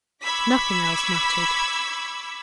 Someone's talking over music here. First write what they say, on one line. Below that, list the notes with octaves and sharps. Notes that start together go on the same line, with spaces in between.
Nothing else mattered.
B5 C#6 D6 E6 G#6 B6